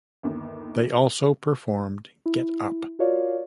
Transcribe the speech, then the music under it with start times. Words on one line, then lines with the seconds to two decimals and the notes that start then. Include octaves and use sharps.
They also performed Get Up!
0.23 G1 D#2
2.26 E4
2.99 F4 F#4 A#4 C#5 D5 F5